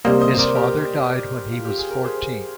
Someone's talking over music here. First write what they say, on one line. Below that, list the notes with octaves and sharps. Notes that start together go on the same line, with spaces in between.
His father died when he was fourteen.
C3 G3 A#3 C5 D#5
C5 D#5
C5
A#4 D5
G4 A#4
F4
G4
G#4
A#4
G#4 C5